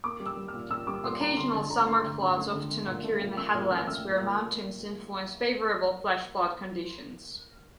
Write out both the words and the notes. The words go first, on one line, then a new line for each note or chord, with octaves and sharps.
Occasional summer floods often occur in the headlands, where mountains influence favorable flash-flood conditions.
A#3 D6
G3
E6
G3
F6
A#2
A#2 E6
G3 D6
A#2 C6
G3 A#5
D3 C6
D3 A5
D3 A#5
A3 C6
D3
D3
A3
D3
A3
A#2
A3
A#2
A3 E6
A#2 F6
A3 F6
A3 E6
A#2
A#2